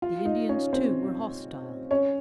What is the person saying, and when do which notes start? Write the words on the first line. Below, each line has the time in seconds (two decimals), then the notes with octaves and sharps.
The Indians, too, were hostile.
0.02 F4 F5
0.25 D#4 D#5
0.49 C#4 C#5
0.73 C4 C5
1.91 C#4 C#5